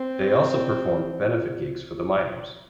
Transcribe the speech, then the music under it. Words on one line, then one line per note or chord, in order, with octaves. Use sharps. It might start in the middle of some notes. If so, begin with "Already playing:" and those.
They also performed benefit gigs for the miners.
Already playing: C4